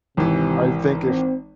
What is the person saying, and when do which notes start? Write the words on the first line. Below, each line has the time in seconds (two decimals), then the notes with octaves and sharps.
I think i
0.17 G#1 C3 E3
1.07 C4